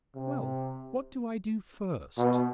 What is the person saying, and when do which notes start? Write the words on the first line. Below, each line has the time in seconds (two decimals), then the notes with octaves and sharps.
"Well, what do I do first?"
0.15 C3
2.18 B2